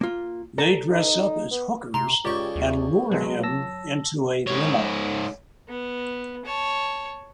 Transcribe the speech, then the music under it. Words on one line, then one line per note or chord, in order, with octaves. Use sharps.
They dress up as hookers and lure him into a limo.
A#3 F4
A4 D5 A#5
D#4
B3
C3 A#5 C6
C#2 C#3 G4 D5 C#6
D#2
B2 F#3 G#3
A5 E6 A#6
G#2 C#5
B3
C#5 A5